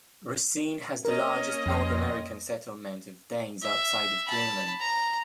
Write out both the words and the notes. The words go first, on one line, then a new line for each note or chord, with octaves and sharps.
Racine has the largest North American settlement of Danes outside of Greenland.
A#3 C#4 A#4 D#5
F2 G5 C6
E5
A5 B5
A#5